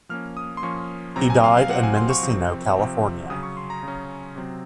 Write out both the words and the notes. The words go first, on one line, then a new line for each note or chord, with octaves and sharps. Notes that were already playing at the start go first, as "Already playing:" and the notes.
He died in Mendocino, California.
F3 A#3 C#4 F6
D#6
C6
F3 A#3 C#4 C#6
C3 F#3 C4 A#5
G#5
F5
F5
C3 F#3 C4 F#5
G#5
C6
C#6
C3 F3 C4
C3 F3 C4
C#3 F#3 C#4 D#6
C#6
C6
A#5
C#3 F#3 C#4
C3 F#3 C4